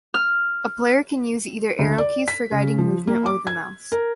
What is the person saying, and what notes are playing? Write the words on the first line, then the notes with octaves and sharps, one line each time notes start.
A player can use either arrow keys for guiding movement or the mouse.
F6
D2
D5
B6
C#3
F3
A#3
D6
G#6
A#4